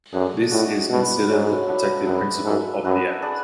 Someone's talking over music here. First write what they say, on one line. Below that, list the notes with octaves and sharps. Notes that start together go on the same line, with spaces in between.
This is considered the protective principle of the act.
F#2 A3 D4 G#4
A2 G#3 D4 F#4
B2 E4 B4 D5
G#2 F#3 A3 C#4
B3 D4 A4 E5
F#2 D4 G#4 B4 E5
G#2 D4 A4 E5
F#2 B3 F#4 B4 E5
D4 G#4 D5